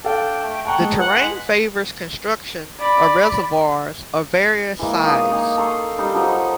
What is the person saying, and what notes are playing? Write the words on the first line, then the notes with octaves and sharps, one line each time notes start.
The terrain favours construction of reservoirs of various size.
D4 A4 F5 G5
A3
A4 F#5 G5 A#5 C#6
G#3
B4 F#5
G#3 B6
D5 B5
E3 G#3 A#3
D#4 C#5 D#5 F5
A#3 D#4 G#5
A4 A#5 C6 C#6
G3 D#4 D#5
F3 F#3 D#4 B4